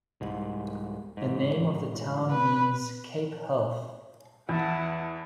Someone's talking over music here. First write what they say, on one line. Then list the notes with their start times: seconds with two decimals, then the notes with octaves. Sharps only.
The name of the town means "Cape Health".
0.21 C2 G#2
1.17 A1 G#2
2.30 B4
4.49 E2 E4 F#5 A5